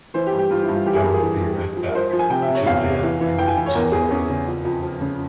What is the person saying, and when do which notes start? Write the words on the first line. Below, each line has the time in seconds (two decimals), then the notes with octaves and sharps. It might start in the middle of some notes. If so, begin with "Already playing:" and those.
I will be right back. Julia, I need to know it.
0.14 E3 C5
0.27 G4
0.32 G2
0.38 G4
0.50 G2 F4
0.63 E4
0.68 G2
0.74 F4
0.86 E3 G4
0.95 G#4
1.04 G2 A#4
1.14 G#4
1.22 E3
1.41 G2
1.58 G2
1.76 F3
1.89 A#4
1.94 F3 C5
2.13 F3
2.19 G#5
2.30 C3 G5
2.42 E5
2.48 C3
2.54 C#5
2.66 E2 F5
2.84 C3
3.03 E3
3.21 E3
3.38 E3 G5
3.48 G#5
3.57 E3
3.66 C#5
3.75 E2 A#4
3.92 E2 G#4
4.10 E2 C#4
4.29 C#3
4.47 F2
4.65 F2
4.83 F3
5.01 C#3